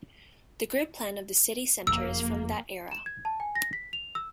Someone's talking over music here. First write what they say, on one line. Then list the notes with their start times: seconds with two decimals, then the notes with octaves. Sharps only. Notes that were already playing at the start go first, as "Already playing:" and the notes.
The grid plan of the city center is from that era.
1.87 F#1 F2 A#3 E6
2.91 E7
3.06 G#6
3.25 A5
3.40 G#5
3.55 A#6
3.73 B6
3.93 F7
4.15 E6